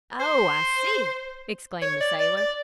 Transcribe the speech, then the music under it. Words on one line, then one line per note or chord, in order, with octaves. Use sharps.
"Oh, I see!" exclaimed the sailor.
C5
C#5
D5
D5
D5